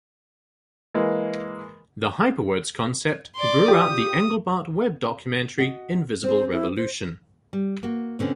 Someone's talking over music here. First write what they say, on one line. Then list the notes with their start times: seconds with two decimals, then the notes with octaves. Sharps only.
The Hyperwords concept grew out the Engelbart web-documentary Invisible Revolution.
0.94 E3 G#3 A#3
3.36 D5 C6
3.68 F4 G4 D#6
5.58 F#4 D#5
6.24 C4 G#4 C5
6.52 E4
6.77 C5
7.53 G3
7.83 A#3 F#4
8.19 B2 D3 C4 C#4